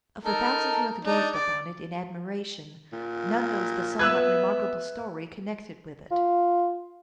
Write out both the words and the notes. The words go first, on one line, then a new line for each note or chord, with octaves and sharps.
Of the thousands who have gazed upon it in admiration, none knows the somewhat remarkable story connected with it.
D#4 A4 A#4
D4 D#4
D5
A#2
B3 B4 E5 E6 F#6 G#6
F4